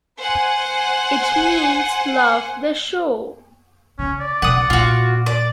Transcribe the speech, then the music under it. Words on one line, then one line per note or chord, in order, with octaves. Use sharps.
It means "Love the show".
C5 F#5 G#5
C#3 C#4
D5
B1 C#3 F#5 D#6
A#2 F4 F#4
D5